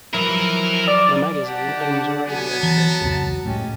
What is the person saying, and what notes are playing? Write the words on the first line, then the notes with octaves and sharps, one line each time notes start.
The magazine owns a radio station.
F3 F#3 E4 A#4 B4
D5
G4 D5 F#5 A5
D3
F#3 B3 G#5
E3 A5 A#5 A6
F1 C#2
A2 G#3 C#4 G4